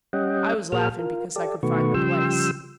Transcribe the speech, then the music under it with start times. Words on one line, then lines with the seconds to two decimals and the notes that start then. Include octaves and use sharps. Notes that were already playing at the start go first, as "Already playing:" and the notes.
"I was laughing because I could find the place."
0.13 G3 C#4 D#5 F#5 G5
0.72 A#2 F#4 G#4 A#4 F6
0.99 F4 A#4
1.36 G4 A4 D5
1.63 B2 D#3 A3 F#4 B4 C#6
1.94 C#3 F3 G3 G5 C6 E6